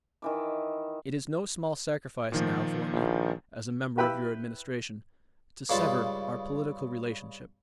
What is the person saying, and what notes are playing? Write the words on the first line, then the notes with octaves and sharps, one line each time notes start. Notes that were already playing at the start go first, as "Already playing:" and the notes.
It is no small sacrifice now for me, as a member of your Administration, to sever our political relationship.
D#3 E3 D6
A#2 D#3 F3
A#1
E4 G4 B4 G5 B5 E6
G2 C#3 G#3 F4 A5 B5